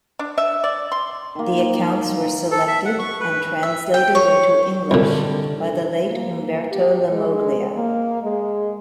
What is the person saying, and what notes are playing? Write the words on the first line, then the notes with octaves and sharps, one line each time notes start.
The accounts were selected and translated into English by the late Umberto Lammoglia.
D4
E5
D5
C6
D#3 A#3
A4
E5
F#5
C#6
B4
E5
G5
C#5
C2 A#2 D3 G3
A#3
G4
G#3
A#3
G#3